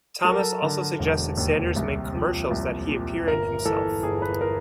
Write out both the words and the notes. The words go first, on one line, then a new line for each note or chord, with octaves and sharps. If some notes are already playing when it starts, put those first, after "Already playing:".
Thomas also suggested Sanders make commercials that he appear in himself.
F#3 A4
A#4
A4
D3
E1
D#2
C2
F3
C2
A#2
G1 A#4
E3 A4
G1 G#4
B4
A#4